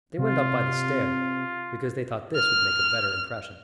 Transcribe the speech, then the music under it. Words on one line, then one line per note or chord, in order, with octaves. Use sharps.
They went up by the stair, because they thought this would make a better impression.
C3 F4
F6